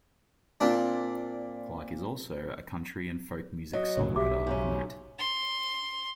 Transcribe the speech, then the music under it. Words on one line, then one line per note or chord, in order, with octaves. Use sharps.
Clark is also a country and folk music songwriter of note.
A#2 C4 D4
F#3 D#5
D2 A#2 C#3 C#5
B1 G4 E5 D6
G#2 C#3 C#4
C6